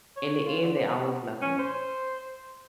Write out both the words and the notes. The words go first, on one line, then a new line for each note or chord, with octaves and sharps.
in the end, they always love me.
C#5
F4
D3
B3
C#4
C5